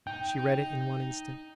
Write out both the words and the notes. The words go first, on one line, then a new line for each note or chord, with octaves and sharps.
She read it in one instant.
D#4 G5